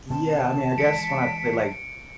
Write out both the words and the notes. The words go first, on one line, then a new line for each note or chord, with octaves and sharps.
Yeah, I mean, I guess when I play, like,
B2 D#3 C4 A5
E3 G#3 B6 C#7 D7